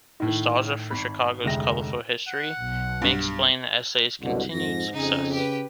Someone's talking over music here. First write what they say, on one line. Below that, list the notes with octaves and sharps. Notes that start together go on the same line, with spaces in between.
Nostalgia for Chicago's colorful history may explain the essay's continued success.
A2 D#3
G#1 B5
F1 D2 G#3 E5 G5 A#6
F#5
B1 B2
G2
C2 F#2 B2 D3
F2 G#2 A#6
F2 C#3 D#4 G#4
G4 B4